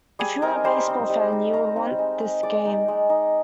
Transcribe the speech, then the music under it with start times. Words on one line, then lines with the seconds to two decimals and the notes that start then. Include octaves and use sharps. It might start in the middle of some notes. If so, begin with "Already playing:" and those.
If you are a baseball fan, you will want this game.
0.19 G3 G#4 G#5
0.42 C4 D#4 A#4 A#5
0.65 G3 C5 C6
0.87 C4 D#4
1.09 G3
1.32 C4 D#4
1.53 G3 A#4 A#5
1.76 C4 D#4
1.99 G#3
2.20 D#4
2.43 G#3 D5 D6
2.65 D#4
2.88 G#3
3.10 D#4